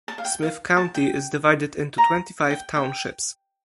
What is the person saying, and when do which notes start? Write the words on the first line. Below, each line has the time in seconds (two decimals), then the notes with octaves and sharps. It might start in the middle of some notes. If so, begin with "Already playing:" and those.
Smith County is divided into twenty-five townships.
0.08 A5
0.18 F5
0.25 G5
0.43 F5
0.77 A5
0.95 G5
1.98 A#5
2.50 G5
2.76 G5